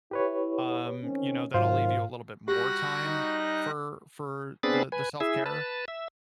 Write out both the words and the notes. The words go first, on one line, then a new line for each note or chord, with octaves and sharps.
um, you know, that'll leave you a little bit more time for for the the self-care,
E4 G4 B4 C#5
D#3 C4 C#4
G#2 D#3 F#3 F4 C5
G3 F#4 G4 F#6 A#6
D#4
B3 C4 D4 G#4 B5 A6
B4 G#5
E4 G#4 E5
B4 A5
E5